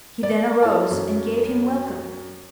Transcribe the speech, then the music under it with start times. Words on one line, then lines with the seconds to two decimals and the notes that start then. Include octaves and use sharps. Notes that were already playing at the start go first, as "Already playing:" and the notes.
He then arose, and gave him welcome.
0.23 D5
0.62 E4 A4 C#5 A5
0.91 F#2